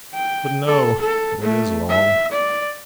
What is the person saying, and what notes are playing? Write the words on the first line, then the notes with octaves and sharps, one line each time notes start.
But no--it is long.
G5
A4
A4
A3
E5
D5